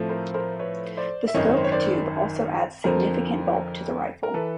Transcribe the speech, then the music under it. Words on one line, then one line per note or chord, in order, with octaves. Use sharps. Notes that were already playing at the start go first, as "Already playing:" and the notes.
The scope tube also adds significant bulk to the rifle.
Already playing: A2 F3 A3 C4
A#4 C5
A#4 C5
B4 C#5
C5 D5
E5
G#1 F#2 D#3 C#5 D#5
C5
C#5
C5 D5
F2 D3 F3 A#4 C5
A#4
E3 A4 B4